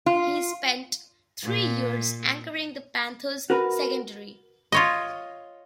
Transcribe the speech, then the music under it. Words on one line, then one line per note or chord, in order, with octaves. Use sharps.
He spent three years anchoring the Panthers' secondary.
F4
A#2
F#4 A#4 B4
F4 C#5 D#5